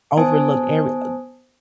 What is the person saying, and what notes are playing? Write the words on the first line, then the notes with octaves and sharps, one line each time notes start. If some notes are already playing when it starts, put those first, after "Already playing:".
overlooked every, uh
B3 C5 G#5 A5 D#6